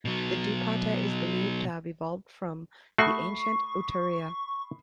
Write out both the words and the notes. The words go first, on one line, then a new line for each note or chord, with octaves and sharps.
The dupatta is believed to have evolved from the ancient Uttariya.
B2 F#3
A3 F#4 B5 C#6 D#6 C7